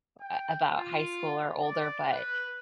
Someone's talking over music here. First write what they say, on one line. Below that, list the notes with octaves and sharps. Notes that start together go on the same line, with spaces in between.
uh, about high school or older, but
G5
F4
D5
B4